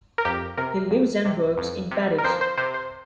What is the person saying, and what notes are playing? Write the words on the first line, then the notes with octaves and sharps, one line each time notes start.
He lives and works in Paris.
A#4
F2 G4
C3 A#4
F2
C3
F2
C3
A#4
F2 C5
C5
C3 C5
C5